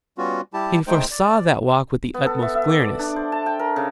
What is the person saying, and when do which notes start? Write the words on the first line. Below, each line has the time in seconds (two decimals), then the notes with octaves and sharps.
He foresaw that walk with the utmost clearness.
0.18 G3 B3 C#4 F4 F#4
0.53 G3 E4 G4 A5
0.87 G#3 A3 D#4 C5 G5
1.11 D5
2.14 B3
2.26 A4
2.42 E5
2.55 E5
2.69 D6
2.82 D5
2.99 D4
3.16 C5
3.32 A5
3.46 G5
3.59 A#4
3.76 C#3